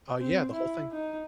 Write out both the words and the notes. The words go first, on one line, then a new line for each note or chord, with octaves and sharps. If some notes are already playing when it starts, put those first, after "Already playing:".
Uh, yeah, the whole thing
C4
E4
D#4